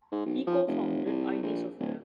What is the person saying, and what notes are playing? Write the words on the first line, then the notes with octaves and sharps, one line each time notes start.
He co-founded id Software.
G#2
B1
F3
F1
C2
A#1
D1